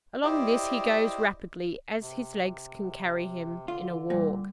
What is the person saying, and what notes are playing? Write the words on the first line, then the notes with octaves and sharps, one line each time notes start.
Along this he goes rapidly as his legs can carry him--in a walk.
E4 G4 C5 D5 D#5
C3
D3 F4
A#2 G3